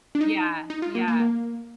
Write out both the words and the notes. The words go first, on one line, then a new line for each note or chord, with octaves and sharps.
Yeah, yeah.
D4
D#4
D#4
F4
A#3
A#3
A#3